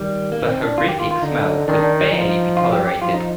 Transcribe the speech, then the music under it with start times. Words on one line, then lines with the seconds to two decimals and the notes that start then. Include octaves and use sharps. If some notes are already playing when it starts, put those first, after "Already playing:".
The horrific smell could barely be tolerated.
Already playing: D#3 G3
0.32 A#3
0.47 C4
0.62 D4
0.77 D#3 F4
0.89 G4
1.00 F4
1.11 F4
1.22 D3 D#4
1.67 D#3 D4
1.79 D4
2.01 D#4
2.12 F3
2.57 F4
2.73 G4
2.88 G4
3.02 F3 F4
3.14 D#4